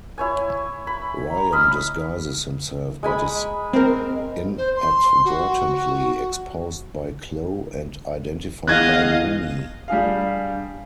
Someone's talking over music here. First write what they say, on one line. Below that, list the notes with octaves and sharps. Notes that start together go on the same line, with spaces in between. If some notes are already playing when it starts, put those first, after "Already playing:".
Ryan disguises himself, but is inadvertently exposed by Chloe and identified by Mooney.
E4 C#5 G#5
B5
A#5
D#5 B5 F6
G#3 G#5 B5
C4 A#4 G#5
C5
C6
F#4
E2 D#5 F5 F#6 G#6
G3 D4 G#4 F5